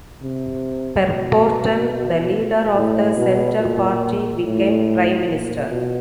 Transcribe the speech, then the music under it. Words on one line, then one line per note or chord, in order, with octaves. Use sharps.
Per Borten, the leader of the Centre Party, became Prime Minister.
C3
B2
A2
B2
A#2
A2
A#2
B2